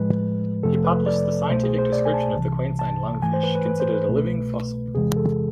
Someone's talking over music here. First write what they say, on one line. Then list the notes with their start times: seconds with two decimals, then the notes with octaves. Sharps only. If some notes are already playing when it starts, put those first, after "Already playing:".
He published the scientific description of the Queensland Lungfish, considered a "living fossil".
Already playing: A2 F3 G#3 B4
0.63 F2 C3 F3 A3 A4
0.85 B4
1.06 D5
1.49 C2 B2 A3 C5
1.64 G#4
1.78 C5
1.93 D5
2.05 G#5
2.14 A5
2.36 C2 C3 E3
2.79 A5
3.22 G#2 E3 A3 G#5
3.33 C5
3.43 B4
3.55 B4
3.65 B4
3.80 C5
3.94 B4
4.08 C2 B2 A3
4.95 E2 C3 E3 G#3 G#4
5.17 A4